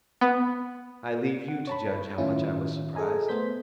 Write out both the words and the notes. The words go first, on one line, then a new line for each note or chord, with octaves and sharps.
I leave you to judge how much I was surprised.
B3
F#5
C#5 A5 B5
A2 D#3 C#4 E4 F4
G#4 A4 D#5 G#5 A#5
A3 B3 C5 G6 B6